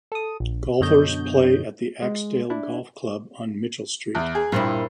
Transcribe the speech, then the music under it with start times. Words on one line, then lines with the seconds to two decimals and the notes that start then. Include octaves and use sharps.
Golfers play at the Axedale Golf Club on Mitchell Street.
0.12 A4 D#6
0.40 A#1
0.80 F#2 B2 D3 C#5 D#5 G6
2.02 G#3
2.50 D4 E4
4.15 E2
4.35 G#4
4.52 G2 A#2 C4 E4